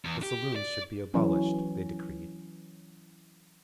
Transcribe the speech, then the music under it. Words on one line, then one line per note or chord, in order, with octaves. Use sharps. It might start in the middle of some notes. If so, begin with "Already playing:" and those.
The saloons should be abolished, they decreed.
E2
G4
D5
E3 F#3 C#4